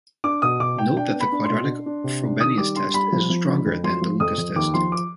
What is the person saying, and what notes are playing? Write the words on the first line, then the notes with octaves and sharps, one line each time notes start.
Note that the quadratic Frobenius test is stronger than the Lucas test.
D4 D6
B2 D#6
B2 D6
B2 G5
D4 G5
B3
B5
D4
C6
B2
D4
D4
C3
D4
D#3 D#6
G3 D6
D4 C6
G3 B5
F3
F3
D3
F2
F3 C6
F3
F2 D#6
F2
D#2 D6
F3 C6
D6